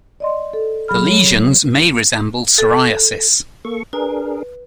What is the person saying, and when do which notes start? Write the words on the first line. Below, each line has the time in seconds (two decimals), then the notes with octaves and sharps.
The lesions may resemble psoriasis.
0.20 D5 D#5 C6
0.53 A4
0.88 F#3 G#4 B5 F6
1.07 C#5
2.58 A4
3.65 A#3 A4 C#6
3.93 D4 G#4 A#4 B4